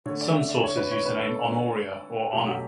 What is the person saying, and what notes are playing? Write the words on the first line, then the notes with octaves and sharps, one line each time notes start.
Some sources use the name "Honoria" or "Honor".
D3 A3 C#5
D5
E5
D5
C#5
B4
C#5
B4
A4
B2 F#3 A3 G4
G4